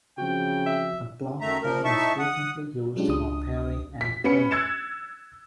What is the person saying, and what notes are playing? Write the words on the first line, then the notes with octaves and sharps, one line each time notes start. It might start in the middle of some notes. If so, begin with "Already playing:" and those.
A block plane is frequently used for paring end grain.
C#3 F3 C4 F#4 G5
E5
F#2 D#3 A3 E5 A#5
A#2 F3 A#4
A2 D#4 E5 A5 C#6
F#5 D#6
F#3 G#3 C#4 D4 F4 G4
C#2 D4 D#6
B6
B3 C#4 B5 C#7
E6 F#6 G#6 A6 C#7 E7